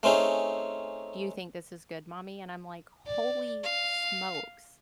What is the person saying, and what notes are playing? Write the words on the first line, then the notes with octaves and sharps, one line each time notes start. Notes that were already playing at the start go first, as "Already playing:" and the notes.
"Do you think this is good, mommy?" And I'm like, "Holy smokes.
A3 C4 C#4 D#4 G#4
D5
F5